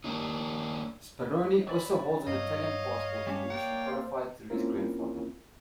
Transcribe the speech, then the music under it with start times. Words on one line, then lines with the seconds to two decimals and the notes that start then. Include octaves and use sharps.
Speroni also holds an Italian passport, for which he qualified through his grandfather.
0.04 A#3 D4 D#4
1.67 F#3 D5 B5
2.27 G2 C#5 D#5 F5
3.27 G3 C#4 D4
3.50 A#3 D5 G5
3.87 C5 F5
4.50 A#3 C4 C#4 E4 F4 A#4